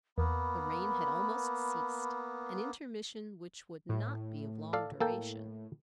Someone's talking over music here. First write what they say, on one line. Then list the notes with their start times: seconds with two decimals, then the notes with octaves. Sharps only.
The rain had almost ceased, an intermission which would not be of long duration.
0.18 E2 A#3 B3 B5
3.89 A2
4.73 A4 D5 F5
5.00 A#3 A4 G5